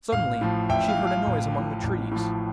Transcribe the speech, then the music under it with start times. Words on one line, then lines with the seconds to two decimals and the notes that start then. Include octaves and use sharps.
Suddenly she heard a noise among the trees.
0.12 A1 F5
0.41 A2 F3
0.69 A1 E5 G5
0.89 F5
0.98 A2 F3
1.07 F5
1.27 A1
1.55 A2 F3
1.83 A1
2.11 A2 F3